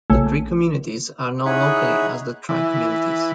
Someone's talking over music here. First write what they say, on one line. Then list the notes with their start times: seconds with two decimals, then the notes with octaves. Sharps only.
The three communities are known locally as the 'tri-communities'.
0.10 A#1 C#3 A3
1.46 D#4 E4 G#4 C#5 F#5 B5
2.49 E3